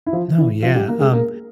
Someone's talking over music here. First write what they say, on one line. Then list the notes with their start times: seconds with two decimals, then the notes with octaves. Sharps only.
No. Yeah, um,
0.06 E4
0.13 F3 F4
0.38 E3 E4
0.62 F3 F4
0.75 G3 G4
0.88 A#3 A#4
1.00 G#3 G#4
1.12 A#3 A#4